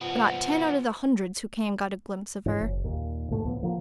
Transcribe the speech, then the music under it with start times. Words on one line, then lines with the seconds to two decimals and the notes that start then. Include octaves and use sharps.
But not ten out of the hundreds who came got a glimpse of her.
0.02 F3 B3
2.46 G#2 E3 C#4
2.61 F#1
2.84 D#2 A#2
3.31 D2 G#2 B2 A3
3.45 D2 A2 F3 B3
3.61 D3 F3 A#3